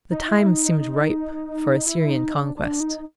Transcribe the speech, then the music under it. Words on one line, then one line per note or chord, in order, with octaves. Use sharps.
The time seemed ripe for Assyrian conquest.
D#4
E4
D#4
E4
D#4
D4
D4
D#4